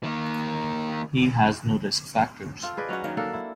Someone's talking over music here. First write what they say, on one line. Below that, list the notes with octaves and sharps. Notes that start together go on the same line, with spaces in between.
He has no risk factors.
D#3 A#3
C4 F4 A4
G#4 B4 D5 D#5
F#3 C#4 D#4 F#4
D#3 F#3 A#3
A#3 D4 A4
E4